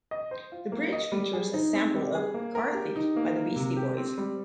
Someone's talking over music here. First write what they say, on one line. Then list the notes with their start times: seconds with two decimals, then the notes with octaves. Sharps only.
The bridge features a sample of "Car Thief" by the Beastie Boys.
0.11 D#5
0.31 C5
0.52 F4
0.72 A#3
0.93 D#5
1.12 G3
1.33 G#4
1.54 D#4
1.74 C4
1.94 G3
2.15 G#4
2.34 A#3
2.55 A#4
2.75 G4
2.96 D#4
3.16 A#3
3.37 A#4
3.56 C3
3.76 G4
3.97 C4
4.18 G3